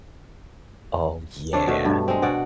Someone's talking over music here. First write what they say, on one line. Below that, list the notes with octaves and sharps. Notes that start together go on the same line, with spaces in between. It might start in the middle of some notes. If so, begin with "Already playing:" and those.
Oh, yeah.
C3 D4 C#5
B2 A3
G2
G#3 C4
B2 F#4 D5